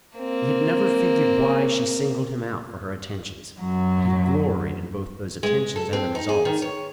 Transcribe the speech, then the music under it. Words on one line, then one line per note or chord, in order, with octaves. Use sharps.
He had never figured why she singled him out for her attentions, but he gloried in both those attentions and the results.
A#3 C4
F#2 F#3
G#3
A4
C4
D#4
G#4
D#3
C#5